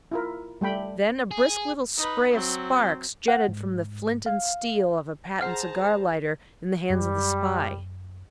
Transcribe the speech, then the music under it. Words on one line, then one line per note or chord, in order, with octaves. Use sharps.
Then a brisk little spray of sparks jetted from the flint and steel of a patent cigar-lighter in the hands of the spy.
E4 F4 A#4
G3 A3 G5 B5
G#4
D#4 B4
F#3 C4
F#5
G#2
F5
G#4 C5 F#5 A5 A#5 F6
F#2 G3